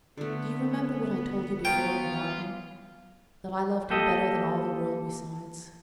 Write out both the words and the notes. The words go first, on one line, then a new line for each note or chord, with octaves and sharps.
Do you remember what I told you before, in the garden; that I loved him better than all the world besides?
D3 A3 B3
F#3 F4 C#5 G5
A#3 G4 A4 D#5